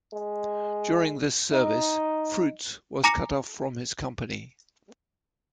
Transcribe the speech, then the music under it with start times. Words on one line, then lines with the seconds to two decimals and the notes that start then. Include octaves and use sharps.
During this service, Fruits was cut off from his company.
0.13 G#3
1.52 D#4
3.04 G#5 A#5 D6 A#6 C#7 F7